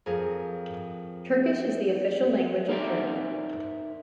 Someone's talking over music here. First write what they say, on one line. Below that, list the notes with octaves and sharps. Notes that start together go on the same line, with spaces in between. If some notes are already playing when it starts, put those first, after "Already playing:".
Turkish is the official language of Turkey.
F2 G#4 A#4
D#4 A#4 C5 D5 E5